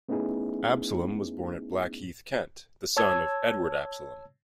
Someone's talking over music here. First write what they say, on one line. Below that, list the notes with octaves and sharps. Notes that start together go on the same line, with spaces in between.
Absolom was born at Blackheath, Kent, the son of Edward Absolom.
A3 B3 C#4 D#4 E4 G#4
C#5 A5 E6 G#6